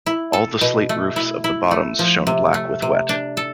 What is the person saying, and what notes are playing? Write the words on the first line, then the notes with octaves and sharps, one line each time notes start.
All the slate roofs of the Bottoms shone black with wet.
E4
A4
B2
A3
E4
E4
A3
F3
C3
A3
C3
D4
A4